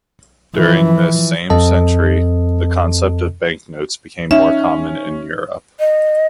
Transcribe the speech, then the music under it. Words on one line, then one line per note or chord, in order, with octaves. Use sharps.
During this same century, the concept of bank notes became more common in Europe.
E3 F3
F2 C4 A4 D#5 A5
C#4 D#4 E5
D#5